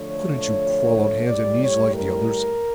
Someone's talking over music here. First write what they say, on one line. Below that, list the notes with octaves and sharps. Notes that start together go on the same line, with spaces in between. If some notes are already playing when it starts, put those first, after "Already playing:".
Couldn't you crawl on hands and knees like the others?
Already playing: D3 F3 A3 C#5
A2 G3 D5
C#5
A#4